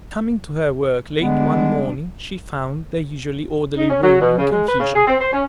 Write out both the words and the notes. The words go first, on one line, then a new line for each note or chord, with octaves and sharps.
Coming to her work late one morning, she found the usually orderly room in confusion.
D3 G3 G#3 B3 D4
D#4
C#4
F#3
B2
C#3
G#3
B4
C#3
G#4
C4
C5
C#4